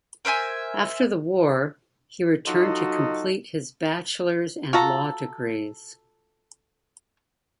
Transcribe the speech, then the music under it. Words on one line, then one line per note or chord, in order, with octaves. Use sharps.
After the war, he returned to complete his bachelor's and law degrees.
A#4 C5 E5 G#5
F#3 D#4 F4 F#4 A4 D#5
F4 F#4 A4 A#5